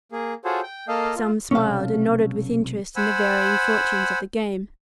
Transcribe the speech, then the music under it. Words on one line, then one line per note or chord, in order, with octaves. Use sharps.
Some smiled, and nodded with interest in the varying fortunes of the game.
A#3 G#4
F4 F#4 G#4 A4 C5 C#5
G5
A#3 A4 D#5 F5
F4
B1 C3 C#4 A4 F5
C5 F#5 G#5 B5 E6